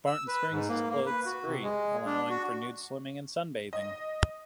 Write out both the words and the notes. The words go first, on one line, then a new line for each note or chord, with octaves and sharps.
Barton Springs is clothes free, allowing for nude swimming and sunbathing.
E6
B4
G#2
A#3
A#3
B4
F#4
C3
G#3
D4
F#4
D#5